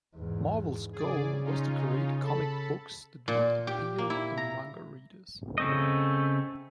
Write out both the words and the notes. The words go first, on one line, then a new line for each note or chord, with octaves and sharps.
Marvel's goal was to create comic books that would appeal to manga readers.
E2 G#2
C#3 G#4 D5
C#4 D#4 F4
A4 A5 B5
A#2
G4
A#3
E4
A#5
C#3 A3 C4 D#5